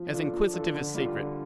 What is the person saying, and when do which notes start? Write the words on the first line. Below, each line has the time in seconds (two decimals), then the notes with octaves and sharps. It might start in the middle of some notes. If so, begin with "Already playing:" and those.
As inquisitive as secret.'
Already playing: F3
0.13 D4 F4 A4
0.34 F3
0.53 D4 F4 A4
0.75 D3
0.95 G3 F4 A4
1.14 D3